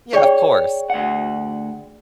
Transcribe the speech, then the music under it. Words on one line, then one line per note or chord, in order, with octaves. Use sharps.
Yeah, of course.
G#4 C#5 D5 G5
D2 F#5